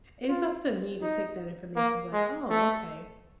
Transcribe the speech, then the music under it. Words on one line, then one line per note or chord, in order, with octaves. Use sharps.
It's up to me to take that information, like, "Oh, okay."
F4
D#4
A#3
G#3
A3